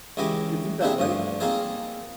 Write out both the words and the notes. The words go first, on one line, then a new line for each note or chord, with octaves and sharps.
Isn't that right?
C#2 E3 E4 G4 D#5 D6
A#3 C4 D4 E4 G4 G#4
D2 G2 F3 D#6
A#3 C4 D#4 F4 G#4 C5